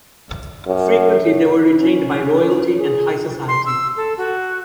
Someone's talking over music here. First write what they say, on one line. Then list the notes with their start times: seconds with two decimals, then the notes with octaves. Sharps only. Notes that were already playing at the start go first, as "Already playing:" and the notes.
Frequently they were retained by royalty and high society.
0.67 F#2
1.80 C#4
2.77 G#4
3.48 C6
3.66 E6
3.96 A4
4.17 F#4